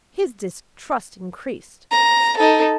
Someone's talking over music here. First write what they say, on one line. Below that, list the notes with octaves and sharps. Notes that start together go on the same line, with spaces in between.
His distrust increased.
A#5
D#4 A4